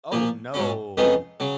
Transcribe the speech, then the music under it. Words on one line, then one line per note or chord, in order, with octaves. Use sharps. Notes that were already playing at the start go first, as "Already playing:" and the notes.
Oh, no.
A#2 F3 A#3
G#2 F#3 C#4
F2 C#3 G#3 B3 D#4
C#3 F#3